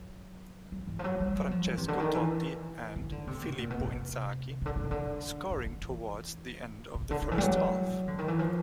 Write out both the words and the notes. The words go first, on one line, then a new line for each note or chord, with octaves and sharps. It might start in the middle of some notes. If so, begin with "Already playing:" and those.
Francesco Totti and Filippo Inzaghi scoring towards the end of the first half.
Already playing: F#3
F#3
E3
F3
F#3
G3
F#3
F3
E3
C3
D3
D#3
E3
D#3
D3
C3
B2
A#2
B2
C3
C#3
D3
D3
C#3
D3
E3
F3
E3
C3
D3
D3
E3
G3
F#3
D3
D#3
E3
F3